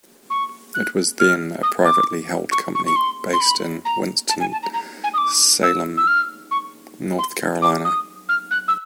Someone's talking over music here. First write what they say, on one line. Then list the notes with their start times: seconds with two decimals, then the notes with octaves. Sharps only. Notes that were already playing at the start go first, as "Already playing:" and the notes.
It was then a privately held company based in Winston-Salem, North Carolina.
0.30 C#6
0.74 F#6
1.20 F6
1.63 D#6
1.85 D6
2.52 C#6
2.75 C#6
2.86 C#6
2.96 C6
3.33 C6
3.41 B5
3.85 A#5
4.29 A5
4.40 G#5
4.52 A5
4.63 A#5
4.74 A#5
5.04 G#5
5.14 D#6
5.18 D6
5.63 E6
5.97 E6
6.07 F6
6.51 C#6
7.18 C6
7.62 D6
7.85 D#6
8.29 F6
8.51 F#6
8.68 E6